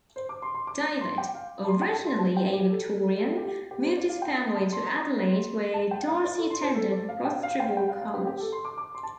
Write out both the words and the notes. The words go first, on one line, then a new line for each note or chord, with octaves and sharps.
David, originally a Victorian, moved his family to Adelaide where Darcy attended Rostrevor College.
C5
D6
C6
C6
D6
C6
G5
F5
A5
C6
G5
A5
C6
A5
G5
G4
A4
A4
G4
G4
C5
D5
F5
G5
A5
C6
A5
G5
F5
D5
A4
C6
C5
A4
D5
F5
G5
F5
G5
G5
F5
F5
G4
G4
A4
C6
D6
D6
C6
A5